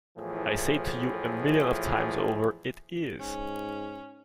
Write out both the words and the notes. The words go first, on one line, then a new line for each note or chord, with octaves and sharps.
I say to you, a million of times over, it is.
E2 A2 E3 F3 G#4
G#2 C#4